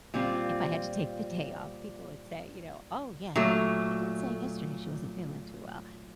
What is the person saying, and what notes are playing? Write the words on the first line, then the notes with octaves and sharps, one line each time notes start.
if I had to take the day off, people would say, you know, "Oh, yes, I remember she did say yesterday she wasn't feeling too well."
A#2 G3 C4 F4
A#2 F#3 A3